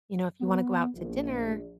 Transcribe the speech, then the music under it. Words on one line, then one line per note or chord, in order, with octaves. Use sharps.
"You know, if you wanna go out to dinner"
B3
A#1